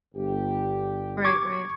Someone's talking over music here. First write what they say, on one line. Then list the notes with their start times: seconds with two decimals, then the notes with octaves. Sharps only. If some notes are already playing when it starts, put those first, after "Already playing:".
Right. Right.
0.15 G1 G4
1.25 C#6 D6 G#6